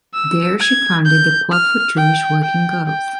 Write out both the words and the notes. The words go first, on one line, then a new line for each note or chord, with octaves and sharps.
There she founded the Club for Jewish Working Girls.
E6
G#6
G6
F6
G5
G5
G5